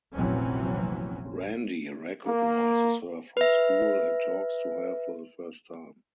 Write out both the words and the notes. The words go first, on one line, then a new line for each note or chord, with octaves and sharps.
Randy recognizes her from school and talks to her for the first time.
F1 A#1 E3 F#3 C4 C#4
A#3
B4 E5